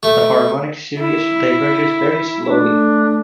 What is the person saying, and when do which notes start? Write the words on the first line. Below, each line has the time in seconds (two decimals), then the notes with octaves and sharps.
The harmonic series diverges very slowly.
0.03 A3
0.99 E4
2.47 A3 D4